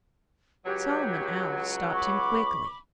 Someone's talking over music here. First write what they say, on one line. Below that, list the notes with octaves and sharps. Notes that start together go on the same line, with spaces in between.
Solomon Owl stopped him quickly.
C#2 F#3 G4 C#5
B5 C#6 D6